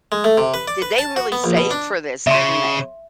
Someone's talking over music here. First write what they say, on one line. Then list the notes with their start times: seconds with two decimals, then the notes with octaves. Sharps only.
did they really save for this, didn't they?
0.12 G#3
0.24 A3
0.38 C3
0.54 B4
0.68 D5
0.82 B4
0.98 A5
1.16 F#4
1.32 B3
1.44 A#1
1.57 B2
1.71 D4
2.27 C#3 E5 C6